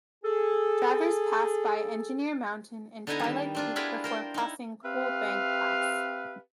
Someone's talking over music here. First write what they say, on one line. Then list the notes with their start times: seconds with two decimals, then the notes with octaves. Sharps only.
Drivers pass by Engineer Mountain and Twilight Peak before crossing Coal Bank Pass.
0.24 G#4 A4
3.07 D3 B3 D#4 E4 G#5 A#5
3.19 D#3 G3
3.55 C4 D4 F4
3.76 B3 E4 F4 G#4 A#4 B5
4.04 A#4 C5 G5
4.34 D#4 E4
4.84 C4 G4 B4 E5 F5